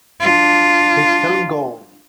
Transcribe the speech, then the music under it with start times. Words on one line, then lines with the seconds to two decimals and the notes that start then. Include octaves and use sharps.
His film Goal!
0.20 D4 F4